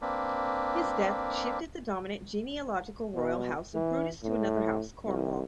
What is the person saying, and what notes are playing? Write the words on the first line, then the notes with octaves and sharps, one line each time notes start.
His death shifted the dominant genealogical royal house of Brutus to another house, Cornwall.
A#3 C4 D4 B4
B2
E3
A2
C2